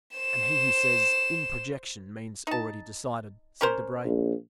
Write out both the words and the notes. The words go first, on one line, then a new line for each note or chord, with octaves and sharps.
"And he who says in 'projection,' means already decided," said Debray.
C5 E7
D#4 A5
C#4 A#4 C5
A#1